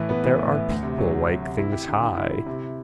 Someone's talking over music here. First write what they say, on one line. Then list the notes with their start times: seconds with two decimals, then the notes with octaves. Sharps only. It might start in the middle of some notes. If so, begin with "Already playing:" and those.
But there are people like things high.
Already playing: A2 E3
0.09 B3
0.24 E3
0.39 A2
0.53 A2
0.69 D2
0.83 C3
0.98 F#3
1.13 F#3
1.28 F#3
1.42 C3
1.58 E4
1.72 G4
1.87 D3
2.02 D3
2.16 E4
2.32 E4
2.46 C3